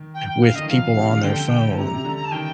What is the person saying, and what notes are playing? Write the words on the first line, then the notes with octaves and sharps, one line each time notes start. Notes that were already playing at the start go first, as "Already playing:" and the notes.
with people on their phone,
Already playing: D#3
G5
G5
F5
D3 D#5
D#3
F3 F5
C3
D3
D3 G5
C3 A#5
C3
D3
A#5
A5
D#3 G5